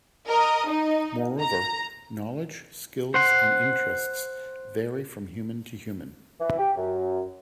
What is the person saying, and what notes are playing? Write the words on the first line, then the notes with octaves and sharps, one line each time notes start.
Moreover, knowledge, skills and interests vary from human to human.
A#4 D#5
D#4
A#5
C5 F#5 C6
E3
G4
F#2